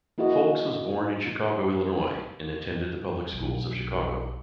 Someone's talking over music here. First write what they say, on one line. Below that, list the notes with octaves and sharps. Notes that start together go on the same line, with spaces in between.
Foulkes was born in Chicago, Illinois and attended the public schools of Chicago.
A#3 E4 F#4 G#4 D#5
B1